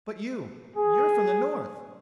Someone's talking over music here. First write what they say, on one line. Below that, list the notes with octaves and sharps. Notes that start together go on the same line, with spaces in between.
"But you--you're from the North."
G#4